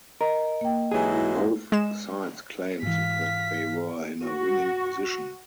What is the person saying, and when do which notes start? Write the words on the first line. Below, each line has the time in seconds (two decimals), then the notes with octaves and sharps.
Both sides claimed that they were in a winning position.
0.21 A#4 D#5
0.61 A#3 G5
0.91 G#2 E3 F#3 G4 G#4 G#5
1.07 E4 F#4
1.72 G#3 E7
2.83 G#2 E3 F5 B6
4.22 F#4